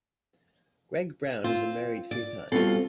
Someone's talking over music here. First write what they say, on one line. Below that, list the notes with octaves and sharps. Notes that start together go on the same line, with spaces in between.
Greg Brown has been married three times.
C4 F4
D5
G2 B2 C4 F4 A4